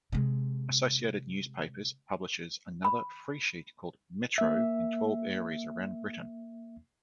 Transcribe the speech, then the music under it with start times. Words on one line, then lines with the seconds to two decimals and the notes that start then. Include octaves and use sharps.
Associated Newspapers publishes another freesheet called "Metro" in twelve areas around Britain.
0.12 C3 G#3
2.85 B5
4.38 A#3 E5